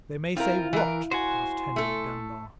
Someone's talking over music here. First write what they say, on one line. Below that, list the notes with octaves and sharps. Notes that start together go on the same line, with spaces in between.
"They may say what?" asked Henry Dunbar.
C4 E4 F4 A#4 F5
E3 A#4
F#4 C5 G#5
A3 A4